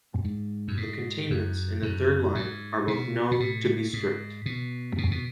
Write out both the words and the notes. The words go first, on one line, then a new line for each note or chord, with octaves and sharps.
The containments in the third line are both known to be strict.
G#2
F#2
G#2
F#2
F#2
G#2
B2
B2
A2
G#2
B2
B2
B2